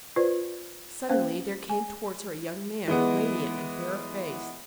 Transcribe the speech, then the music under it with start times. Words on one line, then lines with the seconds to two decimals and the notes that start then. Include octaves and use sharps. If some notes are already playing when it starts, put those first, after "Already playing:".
Suddenly there came towards her a young man radiant and fair of face.
0.16 F4 B4 C5 D5
1.09 A#3 C#4 C5 F5 G5
1.69 G#5
2.88 E3 G#3 B3